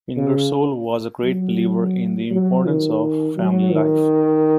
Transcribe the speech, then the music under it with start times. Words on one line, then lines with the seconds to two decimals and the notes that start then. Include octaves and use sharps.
Ingersoll was a great believer in the importance of family life.
0.17 C#3
1.23 F#3
2.31 F#3
2.66 D#3
3.37 F#3
3.72 D#3